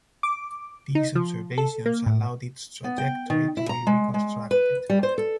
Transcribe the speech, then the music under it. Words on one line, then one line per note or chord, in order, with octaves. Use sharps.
These observations allowed its trajectory to be reconstructed.
D6
D#4
F3
A4
A#3
A2
B3
G5
D#3
E4
A#5
G#3
G#3
B4
G3
C5
A4